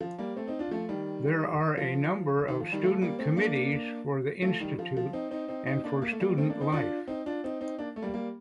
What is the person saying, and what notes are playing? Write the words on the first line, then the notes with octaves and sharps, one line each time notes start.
There are a number of student committees for the Institute and for student life.
F3
G3 A#3
A3 C4
C4 D#4
D4 F4
F3 A3
D#3 G3
F3
D#3
F3
D#3 G3
F3 A3
G3 A#3
A3 C4
A#3 D4
F3 A3
D#3 G3
F3
F3
C4 D#4
C4 D#4
C4 D#4
C4 D#4
A#3 D4
A#3
A3
G3 A#3
A3 C4
A#3 D4
C4 D#4
D4 F4
C4 D#4
D4 F4
C4 D#4
C4 D#4
A#3 D4
A3
G3 A#3
G3 A#3